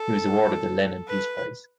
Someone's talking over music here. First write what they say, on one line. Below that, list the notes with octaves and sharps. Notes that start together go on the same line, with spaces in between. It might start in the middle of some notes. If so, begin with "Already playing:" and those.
He was awarded the Lenin Peace Prize.
Already playing: A4
B4